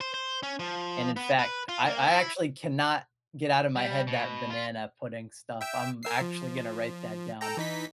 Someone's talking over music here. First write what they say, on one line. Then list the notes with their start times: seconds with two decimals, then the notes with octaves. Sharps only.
and, in fact, I I actually cannot get out of my head that banana pudding stuff, I'm actually gonna write that down.
0.01 C5
0.14 C5
0.43 C#4
0.59 F3
1.16 B3
1.39 B4
1.69 F4
1.86 A#3
2.08 E4
3.76 G3
4.07 B2
4.50 F4
5.61 E5 G5 E6
6.03 A#4 E6 C7
6.21 F3
7.41 A4 G5 A#5
7.57 E3 D#4 B6